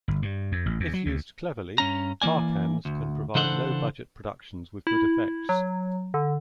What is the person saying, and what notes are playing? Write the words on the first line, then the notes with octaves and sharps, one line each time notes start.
If used cleverly, par cans can provide low budget productions with good effects.
G1
G2
F2
A1
E2
F#3
D2
G2 C#4 A#5
E3 A3 A#3 D5 G#5
D2
C#3 E3 D4 A4 C5 F#5
E4
F#3
D3